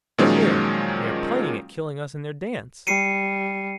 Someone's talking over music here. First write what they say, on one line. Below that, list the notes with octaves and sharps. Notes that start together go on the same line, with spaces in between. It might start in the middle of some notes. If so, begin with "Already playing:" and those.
"Look there! they are playing at killing us in their dance."
A#2 D#3 F3 F#3 G#3 C#4
G3 C7 C#7 D#7